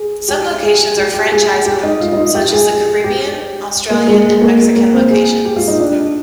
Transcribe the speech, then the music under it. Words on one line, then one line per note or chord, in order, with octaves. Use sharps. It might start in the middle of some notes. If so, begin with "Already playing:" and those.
Some locations are franchise owned, such as the Caribbean, Australian, and Mexican locations.
Already playing: G#4
G4
G#4
G4
G4
G#4
G4
D#4
F4
D#4
F4
G4
G#4
G4
A#3
G#3
A#3
A#3
C4
G#4
G4
F4
D#4
D4